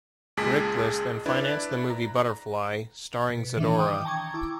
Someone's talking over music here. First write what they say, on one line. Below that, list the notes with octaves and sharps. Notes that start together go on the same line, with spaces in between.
Riklis then financed the movie "Butterfly", starring Zadora.
C#2 A#2 G#3 G#4 A5 B6
D4 E4 B4 D5
A#5
B2
D#3 E3 D4
G5 D6 D#6
G5 A5 A#5 C#6 G#6
E4 D6